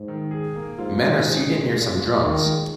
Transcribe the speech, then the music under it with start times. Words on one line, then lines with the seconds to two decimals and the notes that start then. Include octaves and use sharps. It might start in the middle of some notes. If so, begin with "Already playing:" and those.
Men are seated near some drums.
Already playing: G#2
0.08 D#3
0.31 G#4
0.56 A#3
0.78 G#2 F4
1.03 D#3
1.27 G#4
1.50 A#2 G#3
1.74 G#3
1.99 F4
2.22 D#3 C#5
2.46 G#3